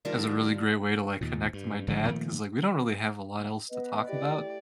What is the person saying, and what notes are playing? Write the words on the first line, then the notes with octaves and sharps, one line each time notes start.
as a really great way to, like, connect to my dad, 'cause, like, we don't really have a lot else to talk about,
D2 D#3 G3 D4 F4
D#2 A#2
G2
G#1 D3 F3 G3
A#2 D#3 F3 A3
B3 B4 D#5
A3 E4 G4 D5